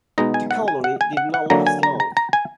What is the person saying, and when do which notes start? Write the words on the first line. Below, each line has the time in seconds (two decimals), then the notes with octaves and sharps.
The colony did not last long.
0.18 B2 G#3 B3 D#4 A#5
0.34 G#5
0.51 F#5
0.68 G#5
0.84 F#5
1.01 G#5
1.17 F#5
1.34 F#5
1.50 D3 F#3 A#3 A#5
1.67 G#5
1.83 A#5
2.00 A#5
2.17 A#5
2.33 G#5